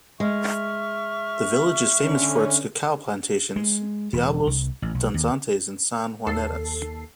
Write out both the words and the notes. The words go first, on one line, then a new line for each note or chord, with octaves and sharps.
The village is famous for its cacao plantations, Diablos danzantes and San Juaneras.
G#3 E5 C#6 F6
D3 C#4
G#3
E1
C2
A1
B1
D#2
D#2 A4 C7